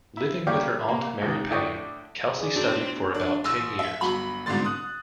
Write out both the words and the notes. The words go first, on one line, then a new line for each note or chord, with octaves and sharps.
Living with her aunt Mary Paine, Kelsey studied for about ten years.
E4
G3 A#3 G4 C#5 D5 F5
A#3
C#2 D#3
A2 D3 D4 G5 C#6 D#6
G#4 D5
B2 F#3 C4 D4
D4
A1 E6
E5
G1 F#3 B5
C2 G#2 B2 D3 C6 A6
D#6 F#6